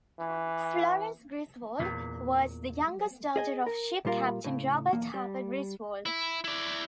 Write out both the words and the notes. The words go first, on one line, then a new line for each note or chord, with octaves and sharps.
Florence Griswold was the youngest daughter of ship captain Robert Harper Griswold.
E3
E2 A#2
G#4 D#5 G#5
A#4
A#2 G3 F4 A#4
A2 C#3
B1 E2 A#3
G3
E4
E4 D5